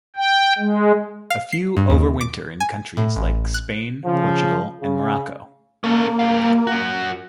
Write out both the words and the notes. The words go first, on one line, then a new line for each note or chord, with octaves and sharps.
A few overwinter in countries like Spain, Portugal and Morocco.
G5
G#3
F5
C7
G2
D#2
D6
G#5
A2
A1
F#6
C#3 F3
C#3
A#3 C#4 A4
G3 F5
F#2 F#4